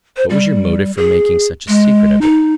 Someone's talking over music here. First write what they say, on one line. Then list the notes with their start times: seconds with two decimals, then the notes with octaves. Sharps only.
What was your motive for making such a secret of it?
0.17 C5
0.30 G3
0.97 G#4
1.68 G#3
2.21 D#4